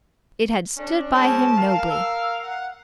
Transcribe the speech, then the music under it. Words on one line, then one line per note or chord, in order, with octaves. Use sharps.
It had stood by him nobly.
C#4 D4
G#3 C4 C#4 A5
A#4 F5
E6
F#5